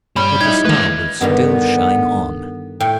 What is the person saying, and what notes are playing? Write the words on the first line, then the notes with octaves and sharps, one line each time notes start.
But the star will still shine on.
G2 G3 C#4 G#5 B5
D#4 E4 G#6
D#3 G#3 A3 B4 F5
G2 D3 D#3 B3
A2 G5